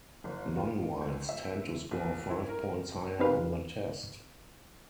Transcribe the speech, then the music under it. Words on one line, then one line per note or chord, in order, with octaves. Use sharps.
Non-whites tend to score five points higher on the test.
F#1
F4
C#2
E5
A#1
E4
A#4
C4 D#4 G4 B4 F5